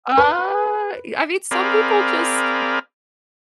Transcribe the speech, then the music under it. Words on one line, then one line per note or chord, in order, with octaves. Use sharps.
Uh, y I mean, some people just
B4
C4 G#4 A#4 D5 F5 B5